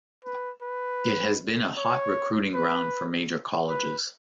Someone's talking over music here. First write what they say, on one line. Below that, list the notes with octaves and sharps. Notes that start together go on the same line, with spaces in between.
It has been a hot recruiting ground for major colleges.
B4
B4
C#5
B4
B4